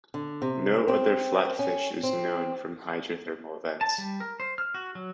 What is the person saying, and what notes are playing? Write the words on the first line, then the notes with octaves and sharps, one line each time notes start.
No other flatfish is known from hydrothermal vents.
D3
C3
C4
C#4
C4
A5
G3
A#4
C5
F6
F#4
F#3